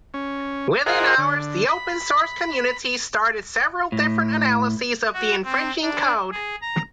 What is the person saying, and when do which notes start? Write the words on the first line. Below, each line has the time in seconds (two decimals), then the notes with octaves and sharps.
Within hours, the open source community started several different analyses of the infringing code.
0.14 C#4
0.86 F4 G#4 A#4 C5 D#5 F#5
1.18 D3
1.68 B5
3.92 A2
5.14 F#4
5.44 C4
5.81 D4
6.31 G#4
6.62 A#5